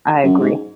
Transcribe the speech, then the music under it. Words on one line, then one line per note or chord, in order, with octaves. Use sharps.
I agree.
F#2
G#2